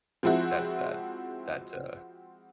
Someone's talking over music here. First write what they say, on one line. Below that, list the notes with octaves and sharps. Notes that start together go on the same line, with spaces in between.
that's that that's uh
F3 G#3 C4 E4 F#4